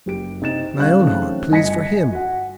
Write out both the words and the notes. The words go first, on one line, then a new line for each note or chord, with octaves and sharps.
My own heart pleads for him.
F#1 G4 D7
C3 D#4 A6 E7
G3 C#4 F5 C#6 F#6
C#3 E3 F#3 A3 C4 D#4
G1 D#5 G#5 A#6 B6 C#7
F#4 F#5